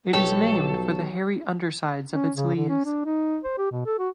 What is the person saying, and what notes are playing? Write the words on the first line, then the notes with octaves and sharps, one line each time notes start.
It is named for the hairy undersides of its leaves.
B1 F3 F#3 G4 A4 C#5 A5
C#4
C#3
D3
C#4
D4
D#4
C5
G4
B2
A4
F#4